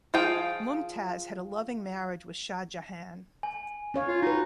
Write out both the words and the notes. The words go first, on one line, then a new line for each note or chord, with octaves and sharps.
Mumtaz had a loving marriage with Shah Jahan.
F3 F4 G#4 G5
G#5
C#4 C#5 F5
F4
D#4 F#4 B4